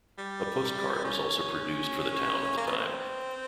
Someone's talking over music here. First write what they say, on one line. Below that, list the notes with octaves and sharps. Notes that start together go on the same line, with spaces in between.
A postcard was also produced for the town at the time.
G3
C#4
A#3
B3
C4